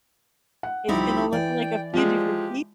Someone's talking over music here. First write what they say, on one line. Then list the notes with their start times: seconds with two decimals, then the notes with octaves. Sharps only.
It's gonna look like a few different peop
0.63 F#5
0.88 C2 D3 F3 C4 D#4 E4 G4 B5
1.33 E3 D5 G5
1.94 F3 G#3 G4